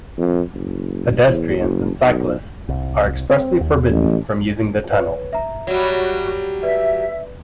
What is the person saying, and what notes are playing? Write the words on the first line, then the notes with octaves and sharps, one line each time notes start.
Pedestrians and cyclists are expressly forbidden from using the tunnel.
F2
F#1
E2
F#1
B1
C2
C4
D#2
A1
B4 C#5
E5 A#5
F#3 G3 F#4
B4 D5 E5